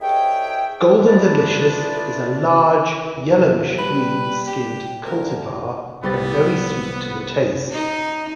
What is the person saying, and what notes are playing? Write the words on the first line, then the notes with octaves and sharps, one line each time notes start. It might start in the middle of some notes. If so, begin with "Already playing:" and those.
Golden Delicious is a large, yellowish-green skinned cultivar and very sweet to the taste.
C2 D#4 G#4 C#5 E5 G5
F3 A3 D4 E4 B4 D5
E2
G3 B4
G4
D2 A#4
C2 B3 G4 A6
D#4